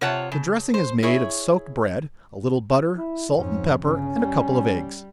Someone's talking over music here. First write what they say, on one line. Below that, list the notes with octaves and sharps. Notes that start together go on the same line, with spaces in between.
The dressing is made of soaked bread, a little butter, salt, and pepper, and a couple of eggs.
C3 F4 C#5 F#5 A5
C#3
C5
E4 G#4 C#5
E4
F2 G#2 C#4
G1 C#3 C#4
G3